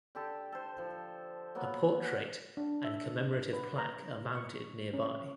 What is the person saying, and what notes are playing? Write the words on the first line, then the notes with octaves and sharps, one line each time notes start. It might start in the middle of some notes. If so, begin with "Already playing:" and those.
A portrait and commemorative plaque are mounted nearby.
D3 G4 A4
A4 C5
F3
F#3 A#3 B3
D4
E5
B4
A#5
C#6
C#4